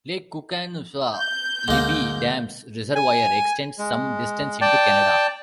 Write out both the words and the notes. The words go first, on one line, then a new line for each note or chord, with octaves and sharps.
Lake Koocanusa, Libby Dam's reservoir, extends some distance into Canada.
G6
D2 G#2 A#3 C#4
G#5
G#3
D5 G5 A5